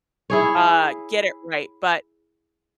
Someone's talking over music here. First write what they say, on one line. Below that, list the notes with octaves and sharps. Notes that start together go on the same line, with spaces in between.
uh, get it right, but,
E4 G#4 C#5